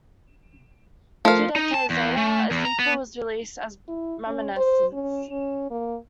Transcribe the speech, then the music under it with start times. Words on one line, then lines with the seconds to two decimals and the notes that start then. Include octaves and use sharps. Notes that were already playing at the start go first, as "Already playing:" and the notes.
Two decades later, a sequel was released as "Reminiscence".
1.25 F3 A3 A#4 F5
1.56 D#4
1.74 A5
1.90 E2
2.18 A3
2.51 E2
2.65 A#5
2.80 B3
3.89 E4
4.27 C#4
4.57 C5
4.93 C#4
5.30 C#4
5.71 A#3